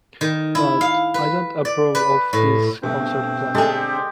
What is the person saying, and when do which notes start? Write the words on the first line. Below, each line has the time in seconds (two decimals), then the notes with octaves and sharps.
But I don’t approve of this concert plan.
0.21 D#3
0.55 E4
0.81 F5
1.14 B4
1.65 D5
1.95 B4
2.33 A2
2.82 G2 B2 A3 C4 C5
3.55 D3 G#3 G4 G#4 A5